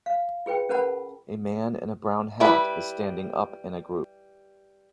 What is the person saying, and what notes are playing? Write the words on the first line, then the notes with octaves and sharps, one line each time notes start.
A man in a brown hat is standing up in a group.
F5
F4 G#4 B4 G5
C#4 A#4 B4 F#5 A5 B5
G3 E4 B4 B5